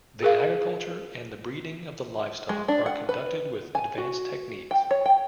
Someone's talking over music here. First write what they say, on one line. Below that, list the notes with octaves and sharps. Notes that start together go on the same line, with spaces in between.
The agriculture and the breeding of the livestock are conducted with advanced techniques.
G#4 A#4 F5
G#3
D4
F#5
B4
G#5
F#4
G5
C#5
G5